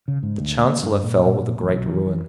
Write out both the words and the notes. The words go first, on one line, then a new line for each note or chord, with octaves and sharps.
The Chancellor fell with a great ruin.
C#3
G#2
D2
A#3
G2
A#2
A#2
A#2
A1
B1
E3
E3